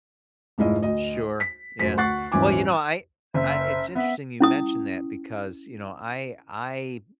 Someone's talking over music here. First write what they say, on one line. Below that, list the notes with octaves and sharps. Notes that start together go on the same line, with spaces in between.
Sure, yeah, well, you know, I I it's interesting you mentioned that because, you know, I I
F1 G#2 G#3 E4 F4 D#5
D2 D#5
B6
F1 F#2 C5 B6
D2 F#5 C#6 F#6 A6 C7
D#1 G#1 E3 C#4 G#5 D6
F#1 E5
B3 E5
C#4 E4 D#6